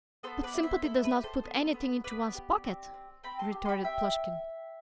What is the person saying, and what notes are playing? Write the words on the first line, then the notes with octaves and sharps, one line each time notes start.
"But sympathy does not put anything into one's pocket," retorted Plushkin.
B3 A4 C5
B4 D5
E4
C5 E5
E4 A4
B4
G4
A4 C5
B3
B3
B3 B4 D5
G4
C4
C4
C4 G5 B5
A5 C6
G4
C6
G5 B5
C4 E5 G5